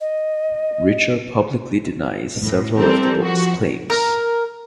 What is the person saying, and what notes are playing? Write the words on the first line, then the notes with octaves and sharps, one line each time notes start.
Richer publicly denies several of the book's claims.
D#5
A2
E3 G3 C4 A4 A#4
F3 F#4
A#4